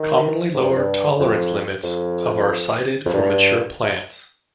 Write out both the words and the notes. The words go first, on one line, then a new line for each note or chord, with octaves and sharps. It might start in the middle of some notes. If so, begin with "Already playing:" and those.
Commonly lower tolerance limits of are cited for mature plants.
Already playing: D#3
G#2
G2
F2
G2
F2
F2
F2
G2